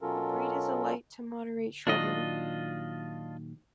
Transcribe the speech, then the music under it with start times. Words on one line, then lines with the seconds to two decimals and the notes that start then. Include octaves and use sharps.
The breed is a light to moderate shedder.
0.02 B2 F#3 C#4 F4 A4 A#4
1.87 A#2 D#3 F#3 D4 F4 D#5